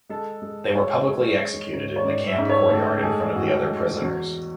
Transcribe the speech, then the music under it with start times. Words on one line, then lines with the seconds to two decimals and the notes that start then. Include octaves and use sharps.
They were publicly executed in the camp courtyard in front of the other prisoners.
0.09 G#3 A4
0.42 G#3
0.75 G#3 C#5
1.07 G#3
1.40 G#3
1.73 G#2
1.96 C#5
2.05 G#2 D5
2.27 E5
2.38 G#2
2.49 C#5
2.70 A2 A4
2.99 A4
3.03 G#3 G#4
3.35 A2 F#4
3.69 G#3
4.01 E2 F#4